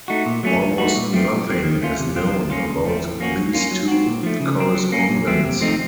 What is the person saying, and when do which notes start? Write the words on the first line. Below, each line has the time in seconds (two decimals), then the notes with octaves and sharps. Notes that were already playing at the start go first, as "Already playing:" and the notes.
Almost nothing is known about these two correspondents.
0.08 A3 D#4 F#4
0.26 A#2
0.43 F#3 A3 C#4
0.61 F3
0.78 A3 D#4 F#4
0.96 A#2
1.13 F3 A3 C4
1.30 A#2
1.47 F3 C4
1.64 D#3
1.82 A3 C#4 F4
1.99 C3
2.15 F3 C4 F4
2.33 F3
2.50 A#3 C#4 F4
2.68 C#3
2.85 F3 A3 C4
3.03 A2
3.20 F3 A#3 C#4 F#4
3.37 F#3
3.53 A#3 C#4 F4
3.71 F#3
3.88 C4 F#4
4.06 A#2
4.23 F3 A3
4.40 C#3
4.57 F3 C4
4.75 F#3
4.92 A#3 C#4
5.09 A#2
5.27 F#3 A3 C4
5.44 C3
5.61 F3 A3 C4 D#4